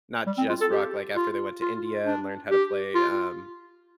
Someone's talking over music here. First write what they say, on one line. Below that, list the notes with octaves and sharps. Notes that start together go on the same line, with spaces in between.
not just rock, like, after they went to India and learned how to play, um
G3
C4
F4
A4
G4
F4
F4
D4
G4
F4